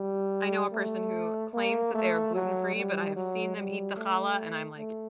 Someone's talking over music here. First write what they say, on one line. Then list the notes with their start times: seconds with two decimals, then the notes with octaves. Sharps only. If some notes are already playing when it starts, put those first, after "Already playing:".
I know a person who claims that they are gluten free, but I have seen them eat the challah, and I'm like,
Already playing: G3
0.73 A3
1.54 A#3
1.95 A3
2.35 F#3
2.76 G3
3.16 F#3
3.56 G3
3.97 A3
4.78 A3